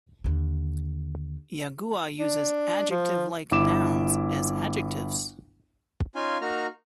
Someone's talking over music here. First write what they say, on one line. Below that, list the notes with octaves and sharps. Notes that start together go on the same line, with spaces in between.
Yagua uses adjective-like nouns as adjectives.
D#2 D3
D4
F3
G1 E4 D6 E7
C#4 D#4 F4 F5 G#5 C6
A#3 D#4 F#4 A#5 F6